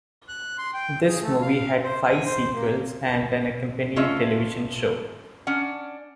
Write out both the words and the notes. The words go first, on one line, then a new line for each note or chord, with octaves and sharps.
This movie had five sequels and an accompanying television show.
F#6
C6
G5
G#4
A3
F5
C5
G#5
C5
A#3
A3 C#4 F4 D#5 E5
C#4 D4 F#5